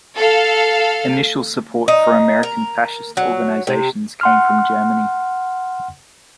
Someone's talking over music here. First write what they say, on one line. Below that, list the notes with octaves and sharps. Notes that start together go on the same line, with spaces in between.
Initial support for American fascist organizations came from Germany.
A4 F5
D#4
A#4
F#3
C3
F#5 C6 F6